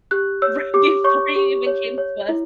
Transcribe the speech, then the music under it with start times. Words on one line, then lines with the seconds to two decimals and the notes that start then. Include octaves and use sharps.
right before you even came to us.
0.11 G4 F#6
0.42 C#5 E6
0.74 G4 D6
1.04 C#5 C#6
1.36 G4
1.67 C#5
1.98 C#5
2.29 E4